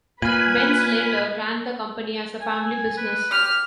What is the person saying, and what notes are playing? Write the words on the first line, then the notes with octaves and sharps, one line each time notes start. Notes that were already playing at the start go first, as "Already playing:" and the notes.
Bentz later ran the company as a family business.
A#2 B4 G#5 B5 F6 D#7
G#5
B4
G4 F6